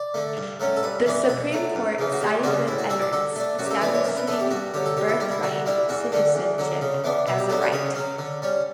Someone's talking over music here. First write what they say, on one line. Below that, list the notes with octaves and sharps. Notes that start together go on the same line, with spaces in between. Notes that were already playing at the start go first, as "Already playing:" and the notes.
The Supreme Court sided with Evarts, establishing birthright citizenship as a right.
Already playing: D5
D3 A3
G2
F#3 A3 C#4
A4
G2 B4
E3 B3 D4
B2 B4
F#3 A3
F#2
C#3 E3
F#4
E2 G4
C#3 G3 D4 F#4
A2 E4
F#4
G3 D4 E5
D5
D3 A4
A3 D4
F#2 F#4
G4
A4
E3 B3 D4 B4
C#5
F#2 E5
B4
E3 B3 D4 A4
G4
G2 F#4
D3 F#3 G4
A4
D3 G4
E4
G3 D4
E4
D3 F#4
G3 D4 E4
E2 F#4
D3 G3 D4
E2
D3 F#3
C#3
E3 B3 D4
B2 E4
G4
F#3 B3 D4 A4
B4
C#3 C#5
F#3 C#4
D3
G3 C#4